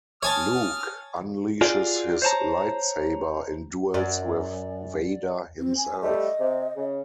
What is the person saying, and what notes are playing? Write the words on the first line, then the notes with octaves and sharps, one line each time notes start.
Luke unleashes his lightsaber and duels with Vader himself.
C#5 G#5 A5 D#6 F6
F4 F#4 G#4 D5
C5 C#5 A5 A#5
F#2 D5
C4
G#5
G3 A3 D#5
C3
C#3